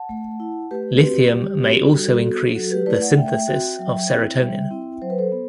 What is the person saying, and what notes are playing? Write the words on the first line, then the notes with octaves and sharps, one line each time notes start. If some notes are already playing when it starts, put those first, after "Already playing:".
Lithium may also increase the synthesis of serotonin.
Already playing: F#5 A5
A3
E4
A3 G4 B4
C4 F#4
G3 G4
C4 F#4
G3 F#4 A4
B3 F#4
F#3 F#4 A4
G4 B4
A3 E4 B4 D5
D5 F#5
A3 E5 G5
C4 F#4
F#3
C4 E4
G3
C4 E4
F#3 C5
B4
A4 C5
B3